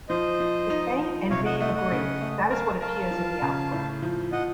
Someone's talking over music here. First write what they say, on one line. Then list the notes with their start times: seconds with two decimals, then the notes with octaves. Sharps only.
If "A" and "B" agree, that is what appears in the output.
0.09 F3 C5 D#5
0.40 F3
0.70 D#4
0.99 F3
1.30 C3 C#5 F5
1.45 D#5 F#5
1.60 A3 D#5 F#5
1.76 D#5 F#5
1.91 C#3
2.21 A3
2.51 A#4 F5 A5
2.81 A#4 F5 A5
3.11 F3
3.42 C#3
3.72 A2
4.02 F3
4.32 F3 D#5 F#5